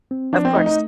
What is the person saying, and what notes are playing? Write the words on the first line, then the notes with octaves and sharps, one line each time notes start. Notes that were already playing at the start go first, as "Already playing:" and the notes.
Of course.
C4
F3 D4
C4
A3 D#4
D#4